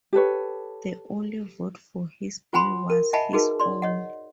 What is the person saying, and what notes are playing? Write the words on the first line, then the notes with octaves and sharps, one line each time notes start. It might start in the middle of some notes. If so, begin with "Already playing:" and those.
The only vote for his bill was his own.
G4 A4 B4 C#5
F4 C5 F#5 G#5 B5 C6
A#4
D#5 E5 F#5 G#5 A5 B5
D#4 F#4 G#4 A#4 B4
D5 C6
C#5 D#5 F#5